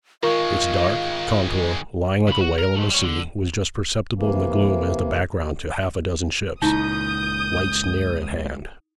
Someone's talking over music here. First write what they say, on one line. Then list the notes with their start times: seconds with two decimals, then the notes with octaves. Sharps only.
Its dark contour, lying like a whale on the sea, was just perceptible in the gloom as the background to half-a-dozen ships' lights nearer at hand.
0.23 D#3 G#3 F4 A#4 F5 C#6
2.28 C#3 B5
2.41 F#4
2.59 A#4
2.76 G#3 A3
2.90 G3 C#5
3.03 D3
4.18 C3 E3 A#3
6.62 C#2 A#2 D#4 E4 D#6 G6